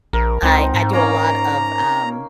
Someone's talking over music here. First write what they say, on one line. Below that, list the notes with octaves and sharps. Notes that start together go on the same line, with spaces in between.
I I do a lot of, um,
A#1 A#4
C#2 C4 D#4
G#2
A#3 C#4 A#5